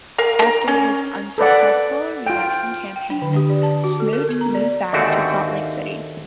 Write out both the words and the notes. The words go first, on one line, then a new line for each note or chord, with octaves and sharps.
After his unsuccessful reelection campaign, Smoot moved back to Salt Lake City.
A#4 F5
A#4 A#5
C#4
A4 B4 D5 F#5
F4 G5
G5
D4
D3
G4
D5
A5
F#4
A4
A#4
B3
A#5
D5
D#2 G#2 D3 A3 C4 F#4